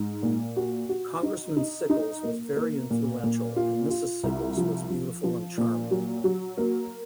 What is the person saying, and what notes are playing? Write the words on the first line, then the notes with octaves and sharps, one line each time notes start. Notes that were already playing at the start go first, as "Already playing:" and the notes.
Congressman Sickles was very influential and Mrs. Sickles was beautiful and charming.
Already playing: G#2
A#2
F#4
F#4
D#4
D#4
D#4
A#3
A#3
A#2
A#2
F4
F4
C2
F3
F3
F3
A#2
F#3
F#3
A#3